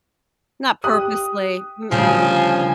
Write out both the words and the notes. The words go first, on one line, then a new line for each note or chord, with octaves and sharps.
Not purposely. Mm-mm.
G4 D#6 F#6
D2 C#3 F3 G3 G#5